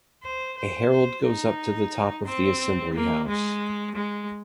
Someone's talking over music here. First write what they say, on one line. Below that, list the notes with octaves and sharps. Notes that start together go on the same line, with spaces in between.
A herald goes up to the top of the assembly-house.
C5
C5
C5
D#4
C4
A#3
G#3
G#3